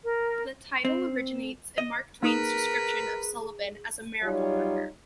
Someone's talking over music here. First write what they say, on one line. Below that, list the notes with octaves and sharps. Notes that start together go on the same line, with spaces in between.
The title originates in Mark Twain's description of Sullivan as a "miracle worker".
A#4
C4
D#5
A#3 D#4 G#4 A#4 B4 D#6
F#3 G3 D#4 F4 C#5